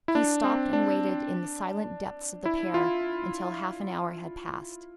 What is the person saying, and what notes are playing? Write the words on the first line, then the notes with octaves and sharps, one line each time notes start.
He stopped and waited in the silent depths of the pear until half an hour had passed.
E4
D4
C4
D4
E4
F4